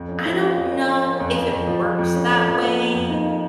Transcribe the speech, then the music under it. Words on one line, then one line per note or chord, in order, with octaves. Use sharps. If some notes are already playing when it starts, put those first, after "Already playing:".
I don't know if it works that way
Already playing: F2
C#4
F3
C#4
F2
C#4
C#4
C#4
F2
F2
F2
F3
F3
F2
C#4
F2
F3
A#3
A#3
F2
D#4
A#3